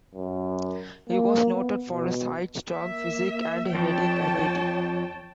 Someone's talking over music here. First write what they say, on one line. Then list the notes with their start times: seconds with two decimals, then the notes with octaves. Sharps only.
He was noted for his height, strong physique, and heading ability.
0.15 F#2
1.10 A#3
1.53 B3
1.90 B2
2.72 A#3 E5
3.75 F2 C#5 G5 A5